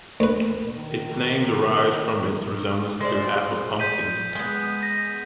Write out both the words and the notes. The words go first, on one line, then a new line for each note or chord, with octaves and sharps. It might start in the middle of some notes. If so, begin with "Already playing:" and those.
Its name derives from its resemblance to half a pumpkin.
D2 B4
D#3
G#3 C5 D5
G6 B6 D#7
G#3 B3
A#6